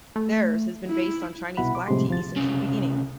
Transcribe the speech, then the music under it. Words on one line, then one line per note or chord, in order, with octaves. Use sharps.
Theirs has been based on Chinese black tea since the beginning.
A3
E4
C2 B2 E4 F#5 B5
D6
A2 C3 F3 G3 G#3 C6
D2 F3 A6
C2 C#3